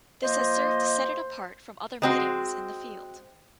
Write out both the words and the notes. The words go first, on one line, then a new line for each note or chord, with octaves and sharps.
This has served to set it apart from other meetings in the field.
F3 A#3 C5 D#5
G#3 C4 F#4